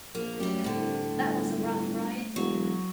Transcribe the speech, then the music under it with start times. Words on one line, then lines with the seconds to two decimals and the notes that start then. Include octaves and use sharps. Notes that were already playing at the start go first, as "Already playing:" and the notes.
That was a rough ride.
0.15 A#1 A#3
0.40 F#2 G3 A3 G4
0.64 C2 A2 D3
1.17 G1
2.36 E1 F#3